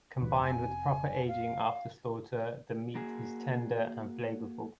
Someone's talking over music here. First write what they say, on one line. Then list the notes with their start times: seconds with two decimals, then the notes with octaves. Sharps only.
Combined with proper aging after slaughter, the meat is tender and flavorful.
0.21 D2 A#2 E3 B4
0.41 F1 C3 G#5
1.28 F5
2.95 A#3 F#4 G#4